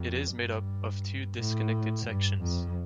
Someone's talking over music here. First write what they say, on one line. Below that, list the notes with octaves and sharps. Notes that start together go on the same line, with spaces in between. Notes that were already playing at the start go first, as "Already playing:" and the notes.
It is made up of two disconnected sections.
Already playing: F2
G2
A2
G2
F2